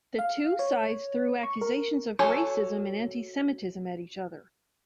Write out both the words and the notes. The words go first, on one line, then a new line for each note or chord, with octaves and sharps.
The two sides threw accusations of racism and anti-Semitism at each other.
F5
C#5
C#6
A#4
F#4 A4 C#5 G#5